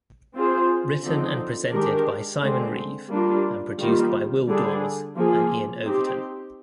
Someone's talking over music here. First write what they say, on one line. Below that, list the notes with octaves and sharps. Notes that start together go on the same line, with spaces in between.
Written and presented by Simon Reeve, and produced by Will Daws and Iain Overton.
C4 F4 G#4 C5
D3 F3 C4 D#4
D#3 G#3 D4 G4 A#4
D3 G#3 C4
G3 A#3 D4 F4
D#3 G3 A#3 F4
D3 G3 D4 G#4
F3 A#3 F4 G#4
C4 D#4 G4